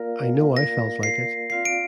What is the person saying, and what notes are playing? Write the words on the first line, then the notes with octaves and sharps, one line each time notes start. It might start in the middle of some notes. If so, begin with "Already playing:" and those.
I know I felt like it.
Already playing: A#3 F4 A#4 D5 F5
A#6
C7
C4 F4 D5 F5 C7
D7